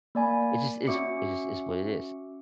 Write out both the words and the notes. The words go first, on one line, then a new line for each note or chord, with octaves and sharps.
it's just it's it just what it is.
A#3 D5 G#5 B5
C#4 F#4 E5 D6 C#7